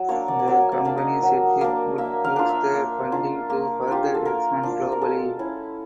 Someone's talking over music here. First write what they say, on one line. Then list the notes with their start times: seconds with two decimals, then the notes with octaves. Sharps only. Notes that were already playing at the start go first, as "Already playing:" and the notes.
The company said it would use the funding to further expand globally.
Already playing: F#3
0.09 A#3 D4 C#5
0.28 D5
0.39 D5
0.48 F#3 C#5
0.72 D5
0.85 A#3 D4
0.98 D#5
1.23 F#3
1.61 A#3 D4
1.98 A#3 E5
2.24 F5
2.36 D4 F4
2.49 E5
2.74 A#3
3.12 D4 F4
3.50 A#3
3.88 D4 F4 G4
4.04 G#4
4.14 A4
4.25 A#3 A#4
4.63 D4 F4
4.92 A#4
5.01 G#3 A4
5.39 C#4 E4